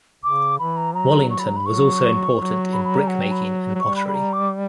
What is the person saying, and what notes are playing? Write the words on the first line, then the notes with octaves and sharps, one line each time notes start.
Wallington was also important in brickmaking and pottery.
C#3 D6
E3 B5
A#5
F#3 A#5
C#6
B5
A#5
B5
F#3 C#6
F#3
B5
B5
G3 A#5
F#3 F#5
G5
B5
F#3
G3 C#6
B5
B5
A#5
D6